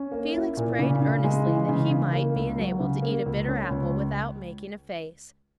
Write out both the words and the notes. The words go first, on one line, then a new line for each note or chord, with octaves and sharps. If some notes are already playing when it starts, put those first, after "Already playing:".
Felix prayed earnestly that he might be enabled to eat a bitter apple without making a face.
Already playing: C#4
A#3
E4
A#2
C#3
C#3
G#3
E3
C#3
C#3
A#3
C#2
F#3
C#3
A#3
C#2
C#4
C#2